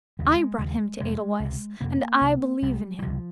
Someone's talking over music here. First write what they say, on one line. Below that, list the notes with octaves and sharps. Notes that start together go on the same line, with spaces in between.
"I brought him to Edelweiss, and I believe in him."
D#2 C#3 G#3
G3
G#3
D#2 C#3
F2 C3 G#3
C#2 C3
F2 C3 A#3
C2 C3
C2 C3 G3
D#3
C#2 C3 F3